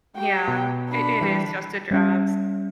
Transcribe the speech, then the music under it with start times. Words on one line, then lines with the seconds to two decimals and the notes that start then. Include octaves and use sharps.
Yeah. I it is just a dress.
0.16 G4 G5
0.48 B2
0.89 D4 B5
1.21 E3 G3
1.91 G3 C#4 E5